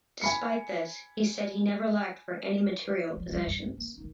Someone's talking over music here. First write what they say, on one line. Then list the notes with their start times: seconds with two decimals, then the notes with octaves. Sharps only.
Despite this, he said he never lacked for any material possessions.
0.21 G#5 B5 C#7
3.17 C3 F3
3.32 G3
3.47 G2
3.64 E3
3.77 A#3
3.97 D#3 D#4